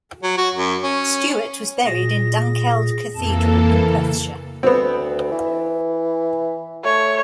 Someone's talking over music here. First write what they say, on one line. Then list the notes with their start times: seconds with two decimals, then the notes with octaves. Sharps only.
Stewart was buried in Dunkeld Cathedral in Perthshire.
0.23 F#3
0.38 F#4
0.55 F#2
0.83 C#4
1.85 A#2 G#4 A#6
3.15 F2 E3 A#3 A4 A5
3.86 C#3
4.63 D2 B3 C4
5.32 E3
6.85 A3 C#5